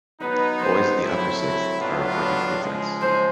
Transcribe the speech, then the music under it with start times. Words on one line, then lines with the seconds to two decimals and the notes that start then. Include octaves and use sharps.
Boys in the upper sixth are appointed prefects.
0.21 F#3 B3 D#4 B4
0.61 C5
1.01 F#3 A3 C4 E4
1.80 A2 F#3 B3 D4 F4
2.61 C#3 F3 G#3
3.02 C5